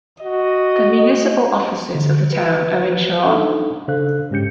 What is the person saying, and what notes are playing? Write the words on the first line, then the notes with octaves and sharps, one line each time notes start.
The municipal offices of the town are in Sharon.
F#4 D#5
D3
B4
D4 D#4 A4
C#3 D4 A4 C5 F5 F#6
G#2 G#3 C#4 G4 G6 C#7